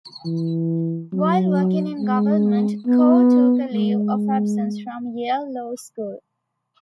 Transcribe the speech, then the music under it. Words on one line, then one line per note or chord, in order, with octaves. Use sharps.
While working in government, Koh took a leave of absence from Yale Law School.
E3
F#3
G#3
B3
G#3